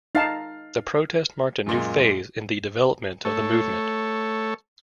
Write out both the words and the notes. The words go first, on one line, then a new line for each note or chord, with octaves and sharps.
The protest marked a new phase in the development of the movement.
D#4 F5 A5 F6 A6 C7
F#2 A#2 G#3
A3 A4 C#5